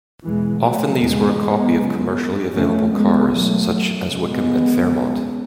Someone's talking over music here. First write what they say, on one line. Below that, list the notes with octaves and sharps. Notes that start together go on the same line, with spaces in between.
Often these were a copy of commercially available cars, such as Wickham and Fairmont.
E2 B2 E3 G#3
F#3 A3
E2 C#3 G#3 B3
F#2 C#3
E2 C#3 A3 C#4
G#3 B3
E2 B2 F#3 A3
F#2 C#3 G#3 B3
E2 C#3